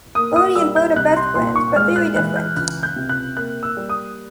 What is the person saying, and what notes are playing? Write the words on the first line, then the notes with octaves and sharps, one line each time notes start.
Ernie and Bert are best friends, but very different.
A#3 D#6
D#6
G3 E6
G6
C2 F#6
C6
A#2 C6
C#6
G#3 F6
F#6
E3 F#6
G6
C#2 F#6
G6
C3
F#6
A#3 F#6
E6
G3
D#6